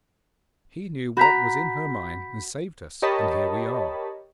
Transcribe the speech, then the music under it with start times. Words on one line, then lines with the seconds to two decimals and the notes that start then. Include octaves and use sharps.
He knew what was in her mind and saved us, and here we are.
1.17 F#4 A#5 B5 G6 B6
3.02 G4 A#4 C#5 D#5 A5 B5